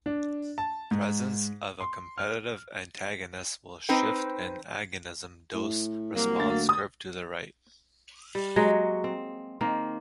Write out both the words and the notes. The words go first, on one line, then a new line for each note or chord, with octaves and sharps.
Presence of a competitive antagonist will shift an agonism dose-response curve to the right.
D4
A5
G#2
C6
F6
C4 D#4 B4 C5 G5
A2
C2 F#3 A#3
D2 A6
D#6
G3
F#3 G#3 A#3 C#5
C4
D#3 A#3 C4